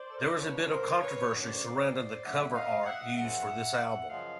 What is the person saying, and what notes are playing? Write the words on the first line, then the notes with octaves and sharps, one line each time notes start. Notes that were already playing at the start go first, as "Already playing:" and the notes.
There was a bit of controversy surrounding the cover art used for this album.
Already playing: C5 D5
A4
A#4
B4
C5
B2 G3 A#3 D4 B4 C#5
A#4 C5
B4 C#5
F#2 D3 F#3 A3 C#4 D5
C#5
C5 D5
F#2 D3 F#3 A3 C#4 E5 F#5
F#5
D#5 F5
E5 F#5
F#2 C#3 F3 E5 F#5
F#2 C#3 F3 D#5 F5